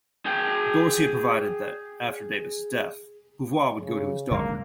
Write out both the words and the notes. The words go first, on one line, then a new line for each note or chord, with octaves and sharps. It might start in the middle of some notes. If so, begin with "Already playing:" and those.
Dorsey had provided that, after Davis' death, Beauvoir would go to his daughter.
G#4 G5
C#3
D3 F#3 G#3 A#3